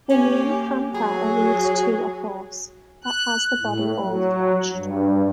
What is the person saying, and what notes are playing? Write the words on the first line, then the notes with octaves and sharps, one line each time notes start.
The name Pampa alludes to a horse, that has the body all threshed.
A#3 C#4 G4
F#3 G#4
F#6
A2
F#3
G2